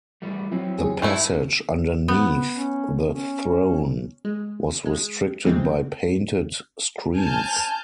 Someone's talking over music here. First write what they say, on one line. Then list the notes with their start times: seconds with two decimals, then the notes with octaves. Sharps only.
The passage underneath the throne was restricted by painted screens.
0.22 E3 G3 A3
0.52 F#3 C4 E4 B4 C#5
0.78 G#4
1.02 G2 E3 A3 E4
2.08 B3
2.56 C#4
3.09 C#4
4.25 G#3
4.86 G#3
5.44 C#3 E3 F3 G#3 A3 C4
7.18 G#5 A5 F6 G6